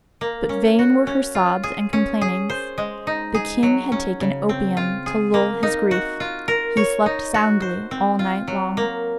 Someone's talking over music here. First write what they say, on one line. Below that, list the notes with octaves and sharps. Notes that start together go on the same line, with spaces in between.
But vain were her sobs and complainings; the king had taken opium to lull his grief; he slept soundly all night long.
A#3
C#4
F#4
C#4
F4
G#4
C#4
G#4
C5
G#3
D#4
G#4
F#3
C#4
C#3
C4
F4
G#4
A#3
D#4
F#4
F4
A#4
C#5
D#4
F#4
C5
C4
F4
F#3
A#3